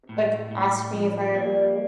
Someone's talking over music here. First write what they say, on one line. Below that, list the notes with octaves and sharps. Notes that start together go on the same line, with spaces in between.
like, asked me if I ever
A2
A2
F3
A#3